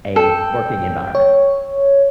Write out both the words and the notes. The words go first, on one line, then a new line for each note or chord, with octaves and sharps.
a working environment.
A4 G5
C#5